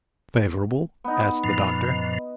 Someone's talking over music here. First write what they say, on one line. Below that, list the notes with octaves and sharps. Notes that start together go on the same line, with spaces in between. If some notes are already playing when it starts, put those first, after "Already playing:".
"Favorable?" asked the Doctor.
B3 D#4
F#2 A#2 F3